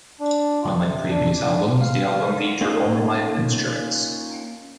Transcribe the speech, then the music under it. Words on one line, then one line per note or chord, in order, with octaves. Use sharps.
Unlike previous albums, the album featured only live instruments.
D4
F4
C3
D4
D4
A#2
F5
D3
A#3 C#4 D#4 F4